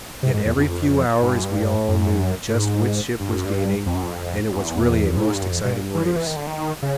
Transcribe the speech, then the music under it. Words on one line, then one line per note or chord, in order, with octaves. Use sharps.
Yet every few hours we all knew just which ship was gaining and it was really a most exciting race.
C3
G#2
E2
F2
G#2
G2
F#2
G2
F#2
A2
G#2
G2
F#2
G2
F2
F#2
F2
E2
A2
G#2
G2
F#2
F2
B2
A#2
E3
F3
E3
D#3
D3
D#3
C#3